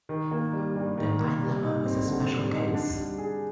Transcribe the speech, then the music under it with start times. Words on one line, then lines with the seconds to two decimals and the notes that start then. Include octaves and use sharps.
The nine lemma is a special case.
0.09 D#3
0.31 A#3
0.53 G3
0.76 G2
0.98 D#3
1.19 A#3
1.42 G3
1.64 D#4
1.85 C4
2.08 D3
2.30 G3
2.52 D#4
2.74 D4
2.96 G3
3.18 G#4